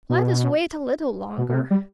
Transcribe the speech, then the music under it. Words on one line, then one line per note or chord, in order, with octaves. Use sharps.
"Let us wait a little longer."
B2
B2
B2
C3
G3